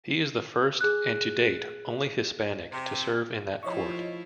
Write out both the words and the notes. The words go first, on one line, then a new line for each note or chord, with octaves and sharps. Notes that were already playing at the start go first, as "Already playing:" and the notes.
He is the first and to date only Hispanic to serve in that court.
G#4 F#6
C3
F3 E4 F4 C#5 D#5 C#6